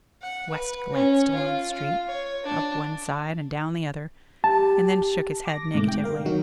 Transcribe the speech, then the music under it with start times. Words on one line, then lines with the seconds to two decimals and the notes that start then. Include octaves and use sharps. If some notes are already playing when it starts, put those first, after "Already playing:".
West glanced along the street--up one side and down the other--and then shook his head negatively.
0.22 F#5
0.50 B4
0.92 C#4
1.35 F4
1.72 F4
2.07 C#5
2.44 D4
4.44 G4 A5
5.46 D6 A#6
5.74 G#2 C3 A3 D6
5.88 G5
6.04 A#4 F5
6.25 D#3 F#3 D#4 F#4